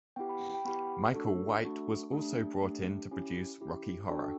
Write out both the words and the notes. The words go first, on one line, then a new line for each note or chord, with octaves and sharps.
Michael White was also brought in to produce "Rocky Horror".
B3 E4 G4 G5
B5
G5
G5
B3 E4 G4 B5
A3 D4 F#4 A4
A3 D4 F#4 A4
A3 D4 G4
A3 D4 G4
C#4 E4 G4
C#4 E4 G4
D4 F#4 A4 G5